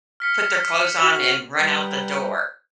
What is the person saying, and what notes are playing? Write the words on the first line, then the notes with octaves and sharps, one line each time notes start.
put their clothes on, and run out the door,
F6 B6 C#7
F#4
G3 B4 F#5 G5 A#5